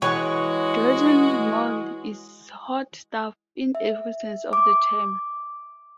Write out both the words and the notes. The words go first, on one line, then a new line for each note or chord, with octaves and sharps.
Gretchen Mol is hot stuff in every sense of the term.
E3 G#3 F#4 G#4 C#5 F#5 C#6
E5
D6